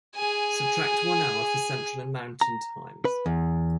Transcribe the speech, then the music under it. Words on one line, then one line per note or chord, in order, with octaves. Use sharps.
Subtract one hour for Central and Mountain times.
G#4 G#5
A#5
B4
E2